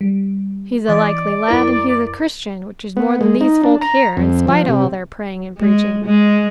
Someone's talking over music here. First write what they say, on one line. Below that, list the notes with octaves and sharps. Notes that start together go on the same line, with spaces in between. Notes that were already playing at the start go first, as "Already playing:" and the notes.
He's a likely lad, and he's a Christian, which is more than these folk here, in spite o' all their praying and preaching.
G3
E3 D5 D#5
F#2 E4 A#4
B3
G#3
D#4
D4
A#5
F2
F3
C3
G#3
G#3